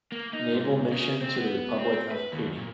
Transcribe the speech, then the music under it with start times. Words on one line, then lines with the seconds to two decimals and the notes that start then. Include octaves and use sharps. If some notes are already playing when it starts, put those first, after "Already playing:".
Naval Mission to the Republic of Haiti.
0.12 A#3
0.33 D#4
0.52 G#2
0.93 C#3
1.22 C4
1.37 B3
1.79 C4
2.12 B4
2.32 D#2
2.57 A#2